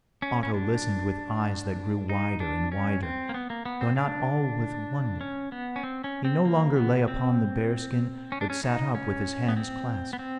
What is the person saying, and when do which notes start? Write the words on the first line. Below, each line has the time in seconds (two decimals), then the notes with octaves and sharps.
Otto listened with eyes that grew wider and wider, though not all with wonder; he no longer lay upon the bear skin, but sat up with his hands clasped.
0.22 C#4
0.43 C#4
0.54 D4
2.09 D#4
2.40 D4
2.72 C#4
3.03 C4
3.29 A#3
3.34 B3
3.50 A#3
3.66 B3
3.81 C4
3.96 D4
5.21 C#4
5.52 B3
5.76 C#4
5.83 C4
6.04 C#4
6.25 C4
6.45 A#3
6.76 B3
7.08 C4
8.32 C#4
8.41 D4
8.50 C#4
8.64 D#4
8.95 C#4
9.49 B3
9.57 C4
10.13 B3
10.19 C4